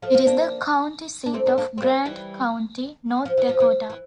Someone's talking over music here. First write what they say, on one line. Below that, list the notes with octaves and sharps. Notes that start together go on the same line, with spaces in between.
It is the county seat of Grant County, North Dakota.
F3 A3
F3
A#3 D4
D4
A3 C4
A#3 D4
A#3 D4
C4
G3 A#3
E3 G3
F3
E3
F3
E3
E3